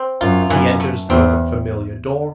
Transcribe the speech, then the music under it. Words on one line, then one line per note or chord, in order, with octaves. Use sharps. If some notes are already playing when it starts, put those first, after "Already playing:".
He enters the old familiar door.
Already playing: C4
F#2 F4
F#2 E3
A3
E2 C4